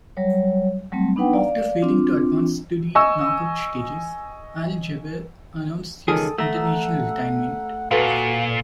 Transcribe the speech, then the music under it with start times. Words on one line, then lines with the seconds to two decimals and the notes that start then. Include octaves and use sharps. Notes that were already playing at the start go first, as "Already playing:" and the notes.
After failing to advance to the knockout stages, Al-Jaber announced his international retirement.
0.17 F#3 G3 C#5
0.92 F#3 G3 A3 C4
1.16 B3 D4 D#4 B4 F#5 G5
1.33 D5 F5
1.82 C4 D4 F4
2.95 D#5 G#5 C#6 E6
6.08 C#2 D#3 G#4 A4 D#6
6.38 A3 F#5 A#5 E6
7.91 A#2 F#4 A4 B4 F5